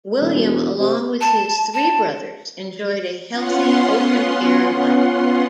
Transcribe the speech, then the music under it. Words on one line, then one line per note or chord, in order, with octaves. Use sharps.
William along with his three brothers enjoyed a healthy open-air life.
D#1
E1
C3
A5
A5
B3 C#4 F4 F#5 C6